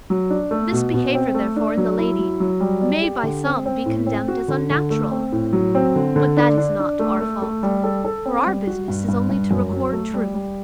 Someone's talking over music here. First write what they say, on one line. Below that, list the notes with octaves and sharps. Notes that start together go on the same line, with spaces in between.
This behaviour, therefore, in the lady, may, by some, be condemned as unnatural; but that is not our fault; for our business is only to record truth.
F#3
D4
A3
B2
B2
C4
A3
D4
F#3
E4
F#3
F#3
G3
D5
G4
D3
C4
C4
A2
C4
F#4
D3
D3
A3
C4
A2
F#3
C4
D3
D3
D4
D4
D4
A3
A3
A3
G3
A4
A4
C4
G3
F#4
G2
G2
G2
F#2
F#3
A3
G3
G3